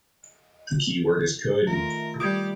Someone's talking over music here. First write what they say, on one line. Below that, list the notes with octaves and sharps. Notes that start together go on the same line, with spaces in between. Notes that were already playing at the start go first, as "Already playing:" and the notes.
The key word is 'could'.
D#3 A3 F4 A#4
G3 D6 D#6 G6 G#6